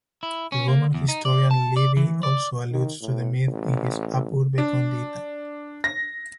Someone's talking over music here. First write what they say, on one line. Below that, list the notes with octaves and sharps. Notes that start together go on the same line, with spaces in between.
The Roman historian Livy also alludes to the myth in his "Ab Urbe Condita".
E4
C#4
A#3
E2
D#4
D5
A5
D5
E3
D5
D#3
A2
A1
D4
A#6